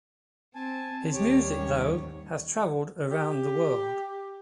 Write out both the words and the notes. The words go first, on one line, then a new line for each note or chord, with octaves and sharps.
His music though has traveled around the world.
C4 G#5 A5
D#2 D#3 G3 G4 C#5
G#2 C#4
G4